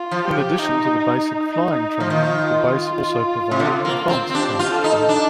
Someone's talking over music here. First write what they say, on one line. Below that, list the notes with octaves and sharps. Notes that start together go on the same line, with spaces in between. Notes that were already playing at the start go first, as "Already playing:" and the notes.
In addition to the basic flying training, the base also provided advanced pilot training.
Already playing: F4
F3
G4
D#4
D#4
F3
D#3 F4
C3
D3
A#3
C4
C4
D4 G4
F4
A4
D#4
D4